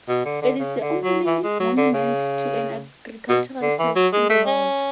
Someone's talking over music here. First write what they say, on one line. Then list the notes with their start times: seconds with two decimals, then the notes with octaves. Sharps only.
It is the only monument to an agricultural pest in the world.
0.08 B2
0.25 D3
0.42 D3
0.59 C#3
0.81 D3
1.03 F#3
1.26 E3
1.44 G#3
1.60 F#3
1.77 D3
1.94 C#3
3.29 B2
3.62 D3
3.79 E3
3.96 F#3
4.13 G#3
4.29 A3
4.47 C#4